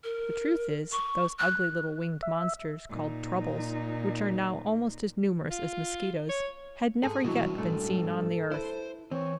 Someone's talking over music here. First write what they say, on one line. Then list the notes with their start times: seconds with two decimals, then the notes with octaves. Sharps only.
The truth is, those ugly little winged monsters, called Troubles, which are now almost as numerous as mosquitoes, had never yet been seen on the earth.
0.04 A#4
0.92 C#6
1.38 F#6
2.22 E5
2.90 A#2 D#4
5.50 F4
6.29 C#5
7.03 G#2 G#4 A4
7.24 B2 E3 F#3 G3 D4 E4 F#4
7.58 G#2 A3 A4
8.52 E4 B4 C5
9.11 E3 C4 C#5